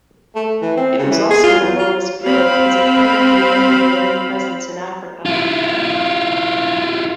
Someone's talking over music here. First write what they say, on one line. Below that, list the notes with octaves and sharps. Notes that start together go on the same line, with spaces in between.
It was also an enormous blow because it permanently ended Roman presence in Africa.
A3
E3
C4
C#3
E3
G#4
F4
E2
F4
C4 F5 B5
E4 F4